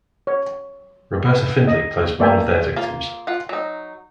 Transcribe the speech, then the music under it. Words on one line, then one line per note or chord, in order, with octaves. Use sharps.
Roberta Findlay plays one of their victims.
C#5
B4
D#5
A3 A#3 D5 E5 G5 G#5
A#3 F4
F4 F#5
F#3 D#4